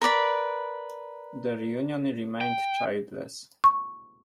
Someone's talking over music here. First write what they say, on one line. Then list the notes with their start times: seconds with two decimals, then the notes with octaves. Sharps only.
Their union remained childless.
0.02 A#4 B4 D5 B5
2.41 G5
3.64 C#6